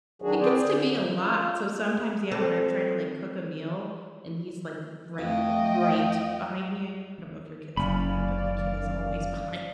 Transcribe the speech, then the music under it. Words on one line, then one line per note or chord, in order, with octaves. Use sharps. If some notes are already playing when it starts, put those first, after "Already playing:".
it gets to be a lot, so sometimes, yeah, when I'm tryna, like, cook a meal and he's, like, right right behind me I don't know if your kid's like that, but my kid is always behind
D#3 F#3 D4 F#4 G#4
C4 G#4 C5 D5
D3
F#2
F4
C4 A4
F2 A3 D#5 F5 G5
F#1 C#4 D5 F5 B5